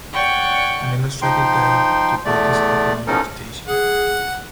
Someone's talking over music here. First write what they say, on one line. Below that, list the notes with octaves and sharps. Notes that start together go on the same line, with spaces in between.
An Illustrated Guide to British Upland Vegetation.
C#5 D5 F#5 G5 C#6
F3 D#4 G5 C6
E2 A3 D5
E2 F3 C#4 D#4 A4 A#4
G#4 F#5